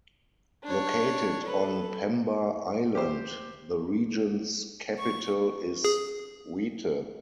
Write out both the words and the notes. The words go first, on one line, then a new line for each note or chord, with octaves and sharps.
Located on Pemba Island, the region's capital is Wete.
D4 C#5
A4 B4
G4 C5
C#6
G#4